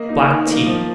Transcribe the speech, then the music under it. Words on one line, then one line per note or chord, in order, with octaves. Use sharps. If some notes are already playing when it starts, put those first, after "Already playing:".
Black Tea.
Already playing: A#3 D#5
D#4
D#3
A#3
F3